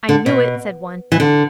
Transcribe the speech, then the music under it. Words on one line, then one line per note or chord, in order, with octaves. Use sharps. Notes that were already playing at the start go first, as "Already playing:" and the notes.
'I knew it,' said one.
D3
B2
E3
D3